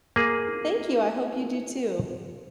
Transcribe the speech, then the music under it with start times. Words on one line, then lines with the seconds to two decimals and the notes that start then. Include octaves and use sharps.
Thank you, I hope you do too.
0.16 A#3 G#4